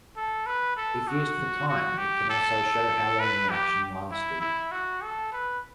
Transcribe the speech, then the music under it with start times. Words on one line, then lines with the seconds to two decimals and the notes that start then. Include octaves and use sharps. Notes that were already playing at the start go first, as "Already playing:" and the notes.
If used for time, it can also show how long the action lasted.
0.17 A4
0.46 B4
0.77 A4
1.08 F#4
1.68 F#4
1.98 G4
2.30 A4
3.20 B4
3.50 G4
4.11 E4
4.41 E4
4.71 F#4
5.02 A4
5.32 B4